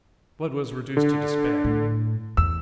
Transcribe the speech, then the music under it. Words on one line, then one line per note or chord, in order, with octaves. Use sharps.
Blood was reduced to despair.
D3
A2
E2 E6